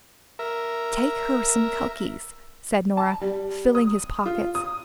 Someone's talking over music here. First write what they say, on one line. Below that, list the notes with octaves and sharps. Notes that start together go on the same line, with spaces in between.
"Take her some cookies," said Nora, filling his pockets.
A#4 E5
A5
G3
D#6
F4
D#6